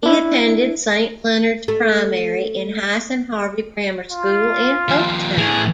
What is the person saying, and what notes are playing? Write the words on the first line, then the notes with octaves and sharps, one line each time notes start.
He attended Saint Leonards Primary in Hythe and Harvey Grammar School in Folkestone.
D4 E4
A3
F4
D#2 F3
A2 E3 G#4